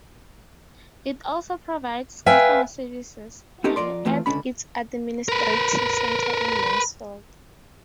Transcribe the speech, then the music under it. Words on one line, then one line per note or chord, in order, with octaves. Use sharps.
It also provides customer services at its administrative centre in Mansfield.
B4 E5 F5 G5 G#5
C4 C#4 D#4 G4 A#4
F2 F4 A#4 D5 C6
E3 A3 C4 F4
C#2 D3 C#4 B5
A#4 B4